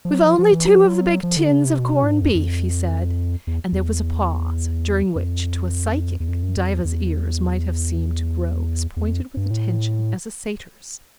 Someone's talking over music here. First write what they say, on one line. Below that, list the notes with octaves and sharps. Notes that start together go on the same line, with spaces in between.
"We've only two of the big tins of corned beef," he said; and there was a pause, during which, to a psychic, Diva's ears might have seemed to grow as pointed with attention as a satyr's.
F3
F#3
F3
F3
E3
F#3
F3
F#3
F3
D3
C#3
C3
B2
C3
A2
G#2
F2
F2
E2
E2
F2
E2
F2
F#2
F2
E2
E2
E2
F2
G2
A2